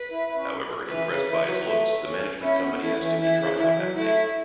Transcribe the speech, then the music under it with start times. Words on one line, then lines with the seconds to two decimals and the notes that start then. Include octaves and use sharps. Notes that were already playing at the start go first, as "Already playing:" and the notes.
However, impressed by his looks, the management company asked him to try out acting.
Already playing: B4
0.11 E4
0.28 E4
0.36 C#4
0.87 E3 B4
1.07 C#3
1.26 E3
1.45 F#3
1.64 A3
2.03 C#4
2.41 C#4 E4
2.61 B3
2.80 A3 E4
2.99 E3
3.18 E3 E4
3.38 C#3
3.57 E3 E4
3.77 F#3
3.95 A3 E4